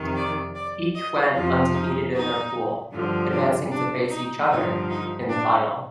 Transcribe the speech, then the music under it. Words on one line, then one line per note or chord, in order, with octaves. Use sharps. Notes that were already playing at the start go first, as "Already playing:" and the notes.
Each went undefeated in their pool, advancing to face each other in the final.
Already playing: F2 C3 D#3
D5
D5
D#5
F2 C3 F3 F4
D#4
D#4
G2 D3 F3
D4
D4
D#4
G2 D3 F3 D#4
D#4
D4